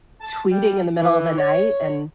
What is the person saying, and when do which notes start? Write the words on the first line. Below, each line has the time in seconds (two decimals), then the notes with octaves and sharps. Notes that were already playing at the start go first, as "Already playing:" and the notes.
tweeting in the middle of the night and
0.20 A5
0.51 G3
0.98 E3
1.38 C#5